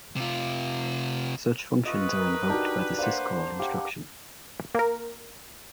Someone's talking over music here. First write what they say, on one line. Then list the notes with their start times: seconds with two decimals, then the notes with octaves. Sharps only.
Such functions are invoked by the syscall-instruction.
0.16 C3 F4
1.85 F4 B4 D#5 C#6 E6
2.18 A#4
2.50 D4 D#4 F#4 G4 G5
2.98 A#3 C5 D5 F#5
3.59 G4 F5 F#5
4.75 A#3 A#4